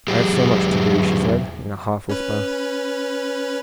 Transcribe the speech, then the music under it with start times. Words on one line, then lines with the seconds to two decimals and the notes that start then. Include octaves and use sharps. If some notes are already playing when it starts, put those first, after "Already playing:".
"I have so much to do," she said, in a half-whisper.
0.08 E2 F#3 G4 G#4
2.09 C#4 B4